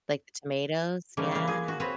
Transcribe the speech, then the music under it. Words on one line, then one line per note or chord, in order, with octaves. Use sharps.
like the tomatoes. Yeah.
C#3 E3 G3 A3 A#3
G3 A#3
G#4
F#4
C4 F#4 G#4 B4 C#5